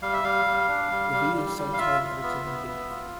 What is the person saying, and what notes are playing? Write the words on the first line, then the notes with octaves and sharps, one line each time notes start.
The "V" is sometimes written "B".
G3 F5
E5
G3 F5
G3
D4
G3
G3
G3
G3
F5
F4 E5
F4
B3
B3
B3
F4